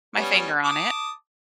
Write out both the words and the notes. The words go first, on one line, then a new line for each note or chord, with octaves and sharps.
my finger on it,
G3 B3 C#4
A5 D6 D#6